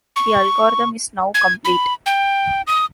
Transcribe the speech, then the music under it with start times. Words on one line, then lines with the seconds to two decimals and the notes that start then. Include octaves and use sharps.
The algorithm is now complete.
0.16 C#6
1.35 G#6
1.65 B5
2.06 G5
2.67 D#6